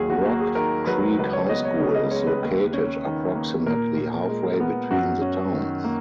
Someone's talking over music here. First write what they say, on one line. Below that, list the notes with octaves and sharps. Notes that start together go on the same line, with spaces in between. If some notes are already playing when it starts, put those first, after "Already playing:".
Rock Creek High School is located approximately halfway between the towns.
Already playing: D#2 F#3 G#4
F#4
A#3 F#4
G#4
D#3 A#4
F#3 B4
C#2 B4
C#5
B3 D#5
C#5
C#3 C#5
D#5
G#3 C#5
B4
D#2
C#4
D#3
A#3
A#2 A#4
A#2
G#3
B3
F#2 F#4
C#4
D#3
A#3